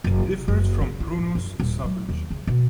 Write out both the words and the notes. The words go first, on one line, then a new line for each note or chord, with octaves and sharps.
It differs from "Prunus" subg.
F#1
C3
F#1
C#3
E4
A1
F#2
D#1
F#3
D#2
C#3
B2